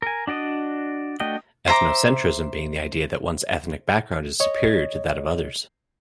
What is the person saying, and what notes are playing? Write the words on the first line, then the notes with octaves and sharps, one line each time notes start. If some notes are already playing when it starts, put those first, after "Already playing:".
Ethnocentrism being the idea that one's ethnic background is superior to that of others.
A#4 G#5
D4 F#4 D5 D#5
A3 D4 F#4 D#5 G5
C5 E5 A#5 D6
C#5 D#5